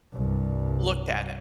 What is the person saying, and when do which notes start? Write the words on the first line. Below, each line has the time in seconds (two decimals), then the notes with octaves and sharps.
looked at it.
0.13 C2 G2